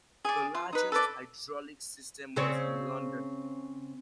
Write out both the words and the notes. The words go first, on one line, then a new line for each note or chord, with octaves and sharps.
The largest hydraulic system was in London.
G#4 D5
F4
D#4 B4
A4 B4 D5
C#3 C4 C#5